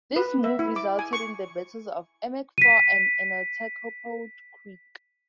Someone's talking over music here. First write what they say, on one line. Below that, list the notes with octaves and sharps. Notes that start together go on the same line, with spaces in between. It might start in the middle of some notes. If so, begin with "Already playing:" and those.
This move resulted in the Battles of Emuckfaw and Enotachopo Creek.
B4
E5
E4
D6
G#5
C#6
B6 D#7